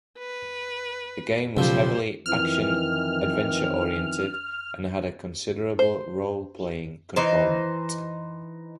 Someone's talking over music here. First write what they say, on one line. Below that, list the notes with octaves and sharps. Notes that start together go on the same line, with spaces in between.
The game was heavily action-adventure oriented and had a considerable role playing component.
B4
B1 C#3 F3 G3 C5
F2 D#3 E3 F6
C5
E3 D#4 C5